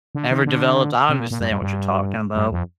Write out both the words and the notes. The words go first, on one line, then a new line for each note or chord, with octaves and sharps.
ever developed, I understand what you're talking about.
D3
D#3
D3
C3
A#2
A#2
G2
G2
G2
G2
F2